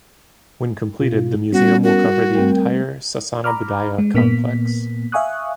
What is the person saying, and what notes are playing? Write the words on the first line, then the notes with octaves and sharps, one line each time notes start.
When completed, the museum will cover the entire Sasana Budaya complex.
B2 F4
G3 B3 C#4 F#4
F#4 A#4
G3 A3 C4 A#4 G5
A#5 B5 D6 F6
G#3
A#2 A#3 B3 B6
E5 F5 G#5 C#6 D#6 F#6